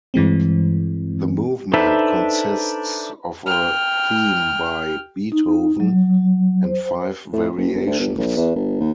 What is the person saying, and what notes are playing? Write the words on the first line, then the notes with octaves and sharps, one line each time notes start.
The movement consists of a theme by Beethoven and five variations.
G2 E3 G#3 C4
D4 D#4 A4 B4 C5 E5
G5 F6
D#4
F#3
C5
A2
F#1
G1
D2
G1
A#1
E2
G1
D#2